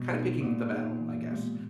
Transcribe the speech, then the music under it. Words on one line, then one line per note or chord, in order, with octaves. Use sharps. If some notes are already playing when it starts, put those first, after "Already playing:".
kinda picking the battle, I guess.
Already playing: B2 G3
B3 D#4 A#4
A#2 B3
D#4 G#4 C#5
E3
G#3 B3 G4